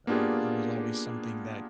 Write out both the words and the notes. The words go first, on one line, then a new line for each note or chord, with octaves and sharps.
uh, it was always something that
A#3 B3 D4 F4 G4 G#4